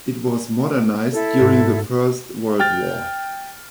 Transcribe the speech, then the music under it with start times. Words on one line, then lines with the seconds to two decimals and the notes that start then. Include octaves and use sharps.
It was modernized during the First World War.
1.12 E4 A4
1.40 G#2
2.60 G5 F6 A6